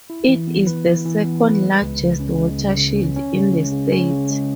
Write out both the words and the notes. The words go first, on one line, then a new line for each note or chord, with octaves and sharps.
It is the second largest watershed in the state.
E4
E3
B3
B4
E4
E3
B3
B4
G#3
C#2
C#3
C#4
G#3
C#2
C#3
C#4
C#4
C#3
G#3
C#3
C#4
C#3
G#3